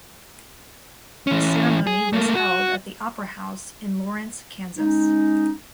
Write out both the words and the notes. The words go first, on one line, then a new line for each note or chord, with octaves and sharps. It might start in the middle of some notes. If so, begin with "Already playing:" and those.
The ceremony was held at the Opera House in Lawrence, Kansas.
E3 C#4
G#4
A3 A#3
F#4
G#3 C#4 D#4